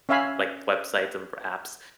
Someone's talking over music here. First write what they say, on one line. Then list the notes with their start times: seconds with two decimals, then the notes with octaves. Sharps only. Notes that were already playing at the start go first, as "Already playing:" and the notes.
like, websites and br apps.
0.09 C#4 C#5 E5 F5 G#5 B5